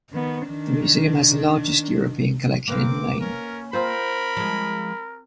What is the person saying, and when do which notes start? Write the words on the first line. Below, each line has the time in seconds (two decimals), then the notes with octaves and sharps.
The Museum has the largest European collection in Maine.
0.12 D#3 B3
0.49 D#3 D4
2.68 A#3 C4 B4 F5 D6
3.21 C#4 A#4
3.73 C4 F4 A#4 C5 B5
4.37 F3 G#3